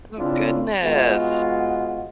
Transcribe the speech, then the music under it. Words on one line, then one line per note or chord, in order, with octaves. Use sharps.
Oh, goodness.
C#3 C4 D4 E4 F4
G#3 B3 F4 F#4